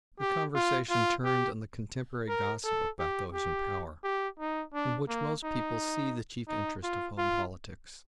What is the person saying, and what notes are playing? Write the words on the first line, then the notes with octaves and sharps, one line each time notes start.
The conversation turned on the contemporary gossip about those in power, in which most people see the chief interest of home politics.
G4
F4
F4
G4
A#4
A4
G4
G4
G4
D#4
D4
A#3
D#4
D#4
F4
F4